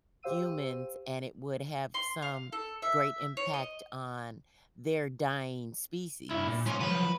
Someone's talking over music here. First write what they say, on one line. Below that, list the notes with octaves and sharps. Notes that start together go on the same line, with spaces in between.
humans, and it would have some great impact on their dying species.
G4 C5 F5 E6 D#7
C6
F5
A4
E5
C#5
D#5
G2 E4
A#2
G#2 C#4 F4
F3 F#3 B4